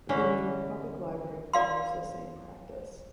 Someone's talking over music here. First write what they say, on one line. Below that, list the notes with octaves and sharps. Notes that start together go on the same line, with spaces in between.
The New York Public Library follows the same practice.
D3 E3 C#4
D5 F5 C6